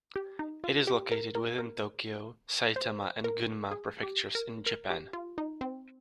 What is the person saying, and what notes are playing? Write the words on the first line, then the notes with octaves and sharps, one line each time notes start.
It is located within Tokyo, Saitama, and Gunma Prefectures in Japan.
G4
D#4
F4
G4
A#4
A#4
A#4
C5
A#4
G#4
G4
A#4
A#4
G4
F4
D#4
C4